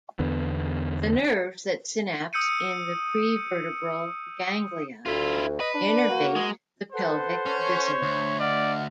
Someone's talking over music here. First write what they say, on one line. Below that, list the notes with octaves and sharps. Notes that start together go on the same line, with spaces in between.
The nerves that synapse in the prevertebral ganglia innervate the pelvic viscera.
E2 D3 B3
D#6 E6 G6 C#7 D#7
D2 E4 F4
B4 D#5
D4
A#3 F#4
G#3
A4 B4 C5 F#5
C#4 C#5
D2
D5 D#5 F#5 F6